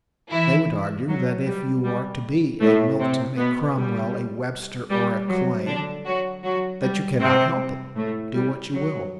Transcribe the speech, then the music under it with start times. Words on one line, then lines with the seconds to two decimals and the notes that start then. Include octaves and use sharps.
They would argue that if you are to be a Milton, a Cromwell, a Webster, or a Clay, that you cannot help it, do what you will.
0.31 E3 E4
1.08 F#3
1.46 G3
1.84 G3
2.61 A2 A3
2.99 C3 C4
3.37 B2 B3
3.75 G3
4.90 G3
5.29 F#3
5.66 D3 D4
6.06 F#3 F#4
6.43 F#3 F#4
6.81 G3
7.20 C3 C4
7.96 A2 A3
8.34 G3
8.73 F#3